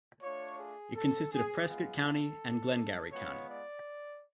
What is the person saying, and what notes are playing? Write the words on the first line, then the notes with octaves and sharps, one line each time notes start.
It consisted of Prescott County and Glengarry County.
A3 D4 F4 C#5
G#4
A4
G#4
G#3 B3 F4 G#4
A4
G#3 B3 F4 C#5
D5